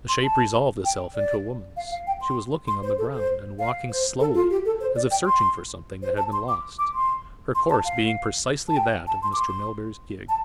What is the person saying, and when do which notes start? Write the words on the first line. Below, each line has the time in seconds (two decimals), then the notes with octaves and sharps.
The shape resolved itself into a woman's; she was looking on the ground, and walking slowly as if searching for something that had been lost, her course being precisely that of Mr. Melbury's gig.
0.09 C6
0.24 A5
0.85 G5
1.15 D5
1.76 F5
1.91 F5
2.07 G5
2.21 C6
2.67 C6
2.83 C5
2.98 A4
3.13 C5
3.59 F5
3.89 C5
4.20 A4
4.35 F4
4.50 G4
4.65 A4
4.81 C5
4.96 D5
5.11 G5
5.26 C6
6.02 C5
6.18 A5
6.33 C6
6.48 D6
6.79 D6
6.94 C6
7.55 C6
7.70 A5
7.85 F5
8.68 A5
8.76 G5
9.07 A5
9.23 C6
9.33 D6
9.37 C6
10.29 A5